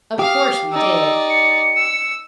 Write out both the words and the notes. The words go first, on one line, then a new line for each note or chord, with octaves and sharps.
Of course we did.
G4 F5 D#6 F6
D#4 D5 E6
C#7
E6